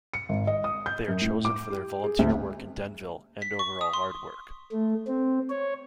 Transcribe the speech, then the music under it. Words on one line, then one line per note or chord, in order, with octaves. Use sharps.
They are chosen for their volunteer work in Denville, and overall hard work.
C#7
G#1
D#5
D#6
G6
F#2
A2
D6
G4
G#4
D2
B6
C#6
D#6
C6
A3
C4
C#5